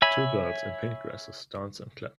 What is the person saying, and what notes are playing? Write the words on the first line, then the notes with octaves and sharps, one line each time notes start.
Two girls in pink dresses dance and clap.
C#5 E5 G#5 B5